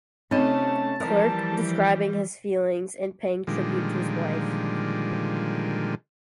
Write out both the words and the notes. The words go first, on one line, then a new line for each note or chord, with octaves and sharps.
Clerk, describing his feelings and paying tribute to his wife.
C3 A3 C4 C#4 D#4 D#5 A5
E3 F3 G3 A#4
A#2 D3 D#3 F3 G3 G#3